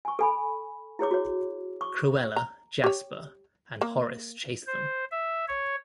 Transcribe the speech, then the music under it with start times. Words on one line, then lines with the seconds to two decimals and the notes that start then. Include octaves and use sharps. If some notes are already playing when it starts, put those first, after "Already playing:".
Cruella, Jasper, and Horace chase them.
0.05 G#5 C#6
0.19 A4 G#5 B5
0.99 E4 G#4 C#5 D6
1.11 F#4 C#5
1.81 C#6 D6
2.36 A#5
2.84 G4 C#5
3.81 A#3
4.67 C5
5.11 E5
5.48 C#5